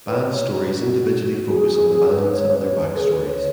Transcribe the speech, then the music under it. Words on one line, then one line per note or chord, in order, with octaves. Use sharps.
Band stories individually focus on the bands and their backstories.
B4
C#5
F#4
F#4
F#4
G#4
G#4
G#4
B4
B4
C#5
B4
C#5
B4
G#4
B4
C#5